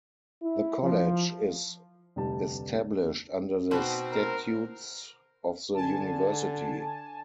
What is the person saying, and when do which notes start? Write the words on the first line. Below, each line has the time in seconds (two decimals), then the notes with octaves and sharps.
The College is established under the Statutes of the University.
0.43 E4
0.83 F3
2.16 F1 D2 G3 G4 A5
3.71 B2 D#4 F#4 B4 C5 G5
4.11 A#4
5.74 D3 G#5 A5